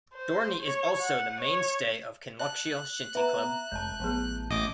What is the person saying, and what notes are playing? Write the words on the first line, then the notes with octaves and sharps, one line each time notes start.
Dornie is also the main stay of Kinlochshiel Shinty Club.
C5
C#5
F#5
C#5
D5 A5 F#6
B3 E5 A#5
F1 G#3 A5 G6
A1 F#3 B3 G#4
A1 D#5 D6